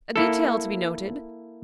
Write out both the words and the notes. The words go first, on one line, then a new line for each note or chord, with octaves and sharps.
A detail to be noted.
A#3 E4 A4